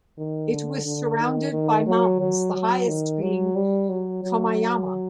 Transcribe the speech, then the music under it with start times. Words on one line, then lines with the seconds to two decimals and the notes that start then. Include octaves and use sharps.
It was surrounded by mountains, the highest being Komeyama.
0.17 D#3
0.51 D3
0.86 D3
1.19 D#3
1.53 D#3
1.86 F#3
2.20 F#3
2.54 F#3
2.88 D#3
3.22 F#3
3.56 G3
3.89 F#3
4.23 F#3